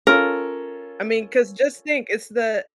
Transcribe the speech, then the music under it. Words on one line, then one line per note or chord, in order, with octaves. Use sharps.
I mean, 'cause just think, it's the
C#4 F4 A4 A#4